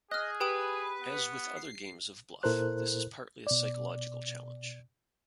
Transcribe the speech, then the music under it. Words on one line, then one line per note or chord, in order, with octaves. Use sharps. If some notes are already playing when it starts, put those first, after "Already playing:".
As with other games of bluff, this is partly a psychological challenge.
G#4 D#5 F6 F#6
G4 B4 G5 D#6
B3
C7
A#2 E4 A4 A#4 C5 F#6
B2 D5